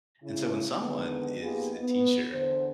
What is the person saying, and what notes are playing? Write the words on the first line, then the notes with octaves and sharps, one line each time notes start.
and so, when someone is a teacher,
C#3 E4
D3 D#3 G#3 B3
A#3 B3 D#4 F4 G4 G#4
B3
E2 D3 C5